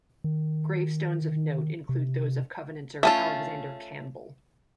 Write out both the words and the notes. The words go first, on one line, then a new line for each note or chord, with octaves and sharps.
Gravestones of note include those of Covenanter Alexander Campbell.
D#3
C3
A3 C#4 F4 E5 G#5 A5